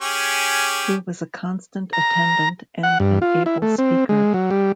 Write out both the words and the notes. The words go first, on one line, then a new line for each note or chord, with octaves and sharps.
He was a constant attendant and an able speaker.
C#4 G4 G#4
A#5
F#5
G2
F4
E4
A3
C4
G#3
F#3
G3